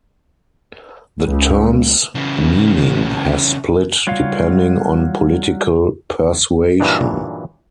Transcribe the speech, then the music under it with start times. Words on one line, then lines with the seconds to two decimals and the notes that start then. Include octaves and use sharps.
The term's meaning has split depending on political persuasion.
1.25 C#2
2.15 C#3 E3
4.07 F#3 G3 F4 C#5 F5
6.80 G2 A#2 E3 F#3 D4 D#4